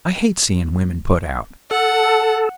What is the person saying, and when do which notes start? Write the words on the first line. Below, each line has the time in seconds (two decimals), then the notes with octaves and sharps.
'I hate seeing women put out.
1.71 A4 F#5